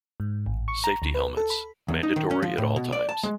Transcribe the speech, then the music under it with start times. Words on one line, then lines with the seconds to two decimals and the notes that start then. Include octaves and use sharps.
Safety helmets: Mandatory at all times.
0.20 G#2
0.46 A1
0.68 C#6
0.84 A#5
1.02 D2
1.14 B4
1.37 A4
1.50 B5
1.88 E2
2.03 D#4
2.16 D#3
2.31 C#4
2.42 F3
2.58 A2
2.76 B2
2.92 D5
3.09 A5
3.23 G#3